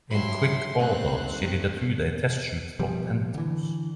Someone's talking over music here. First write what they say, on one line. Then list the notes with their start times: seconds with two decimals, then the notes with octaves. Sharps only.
In quick order, she did a two-day test shoot for "Penthouse".
0.11 G2 F#3 E5 B5 C6
0.79 G2 D#3 A3 A#3 C4 F#6
2.79 B2 F3 G3
3.34 D3 E3